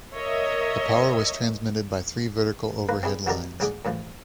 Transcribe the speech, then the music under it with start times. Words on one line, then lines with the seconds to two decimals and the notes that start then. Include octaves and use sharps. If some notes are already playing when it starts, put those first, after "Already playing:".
The power was transmitted by three vertical overhead lines.
0.14 A#4 C#5 D#5 E5
2.89 A#3 B4
3.03 C4 D4 E4 G#4
3.26 E3 F#4 G4 A4 A#4 D5
3.60 A#1 G#2 D3 G#4 D6
3.85 F#2 A2 E3 F3